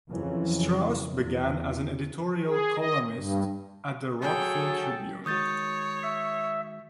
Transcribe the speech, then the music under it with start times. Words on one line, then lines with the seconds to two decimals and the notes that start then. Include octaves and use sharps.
Strauss began as an editorial columnist at the "Rockville Tribune".
0.11 F2 C#3 E3 F#3
1.15 E2
2.46 G#4
2.76 D#5
3.13 G2
4.21 F#3 G#4 A4 G5
5.26 D#3 G#3 F#4 C#5 D#6 G6 A6
6.03 E5